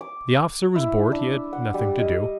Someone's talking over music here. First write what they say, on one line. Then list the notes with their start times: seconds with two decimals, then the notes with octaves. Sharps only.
The officer was bored, he had nothing to do.
0.01 D6
0.76 E4
1.12 D4
1.53 F#5
1.74 G3
1.98 D#5